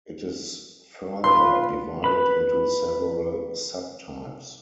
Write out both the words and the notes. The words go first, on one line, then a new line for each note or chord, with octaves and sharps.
It is further divided into several subtypes.
F4 B4 C6
B4 B5